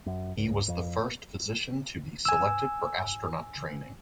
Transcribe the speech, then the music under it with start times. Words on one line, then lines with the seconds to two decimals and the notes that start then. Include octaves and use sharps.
He was the first physician to be selected for astronaut training.
0.06 F#2
0.37 C#2
0.68 F2
2.25 G#5 E6